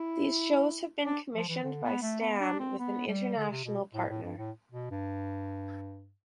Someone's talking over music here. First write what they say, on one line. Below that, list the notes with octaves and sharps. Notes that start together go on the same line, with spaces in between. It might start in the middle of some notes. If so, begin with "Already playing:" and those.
These shows have been commissioned by Stan with an international partner.
Already playing: E4
D4
F3
E3
D3
B3
A3
B3
D4
C4
B3
G3
D3
C3
B2
A2
A2
G2
A2
B2
G2